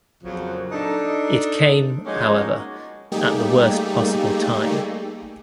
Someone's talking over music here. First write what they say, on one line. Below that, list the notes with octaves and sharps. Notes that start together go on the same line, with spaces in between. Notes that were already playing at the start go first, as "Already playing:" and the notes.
It came, however, at the worst possible time.
F2 A#2 C#3 F3 F#3
D4 D#4 A4
F3 G#3 A#3 C#4 D#4 F#4
G3 A3 A#3 D#4 G4 G#4